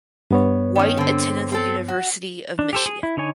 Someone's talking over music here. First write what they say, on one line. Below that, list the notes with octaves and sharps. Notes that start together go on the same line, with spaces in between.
White attended the University of Michigan.
G2 B3 C#5
D#3 C#4
D3 C4
C4 A4
F#4
D4
G4 A4 C5
G#4
E4
D3 D#4 C#5 G#5